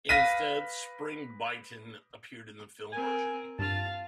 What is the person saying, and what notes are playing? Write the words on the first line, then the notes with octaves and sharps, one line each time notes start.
Instead, Spring Byington appeared in the film version.
B4 F5 A#6 B6 D#7
C4 A#4 G#5
G2 F4 F5 A5